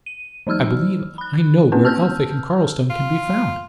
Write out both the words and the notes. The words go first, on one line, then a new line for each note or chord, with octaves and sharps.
I believe I know where Elphick and Cardlestone can be found.
D#7
E3 F#3 D#4 E6 F6
B5 F#6
A#3 C4 C#4 E4 B4
A5 E6 F6 G6
F4